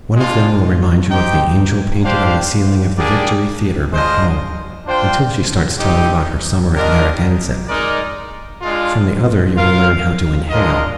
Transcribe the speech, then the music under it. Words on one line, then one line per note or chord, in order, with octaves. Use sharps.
One of them will remind you of the angel painted on the ceiling of the Victory Theatre back home, until she starts telling about her summer at Narragansett; from the other you will learn how to inhale.
G#3 D4 F4
D#4 G4 C5 G5
D4 G4 C5 F5
G3 A#3 D4 G#4 D5
G#3 D4 F4 C5 D#5
D4 F4 C5 G5
C4 D#4 G4
G3 D4 F4 A#4 D#5
G#3 D#4 A#4 D5
G#3 D4 F4
F4 A#4 F5
G#3 D4 F4 A#4 D#5